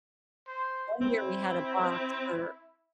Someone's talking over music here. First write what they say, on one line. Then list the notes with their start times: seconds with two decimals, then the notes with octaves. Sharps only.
One year we had a box for
0.48 C5
1.01 C4 E4